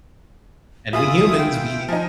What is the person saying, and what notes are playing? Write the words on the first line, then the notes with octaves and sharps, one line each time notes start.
And we humans, we
E4 F4 G#4 D#6
G5
F3 D#4 G#5